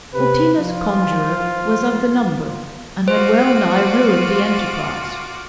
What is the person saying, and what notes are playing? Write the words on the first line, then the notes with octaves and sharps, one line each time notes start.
Outina's conjurer was of the number, and had wellnigh ruined the enterprise.
C3 B4
F3 F4
F4 F#4 C5 D6